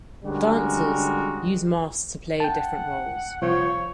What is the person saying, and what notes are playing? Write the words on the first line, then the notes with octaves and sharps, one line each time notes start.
Dancers use masks to play different roles.
D3 G3 G#3 C#4 F#4 A#4
F#5 G5 A5
C2 F3 C#5